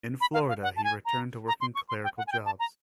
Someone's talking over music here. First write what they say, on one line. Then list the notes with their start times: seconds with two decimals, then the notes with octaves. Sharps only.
In Florida he returned to working clerical jobs.
0.21 B5
0.34 F5
0.48 F5
0.63 F#5
0.76 A5
0.84 G#5
1.05 A#5
1.48 A#5
1.61 C6
1.75 C#6
1.89 C6
2.04 G5
2.17 F#5
2.27 G#5
2.32 G5
2.46 A5
2.59 A#5